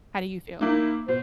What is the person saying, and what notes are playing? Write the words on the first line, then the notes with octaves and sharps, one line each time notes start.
How do you feel?
A#3 D#4 E4
B2 C5